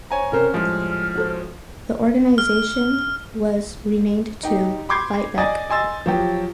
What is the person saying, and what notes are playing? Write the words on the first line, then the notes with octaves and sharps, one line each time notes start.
The organisation was renamed to "Fightback".
C5 C#5 G#5 A#5
C3 C#4 A#4 C5 F6
A2 F3 G3 G#3
F#4 A4 C5
F6
D#4 G4
B5 C6 D6 G6 G#6 C7
D5 D#5 G#5 D#6 A6
D#5 G#5 C6 E6 A6
F3 F#3 G4